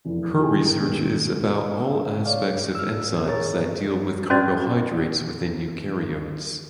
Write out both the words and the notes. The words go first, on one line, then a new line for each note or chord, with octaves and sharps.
Her research is about all aspects of enzymes that deal with carbohydrates within eukaryotes.
F1 E2
D#4 E4 G4 G#4 G5 G#5
D#2 B2 B3
C#5 D5 F5
E6 F6
G2 A#2 G#4 A#4 C#5 A6
C#4 F#4 C5 D5 D#5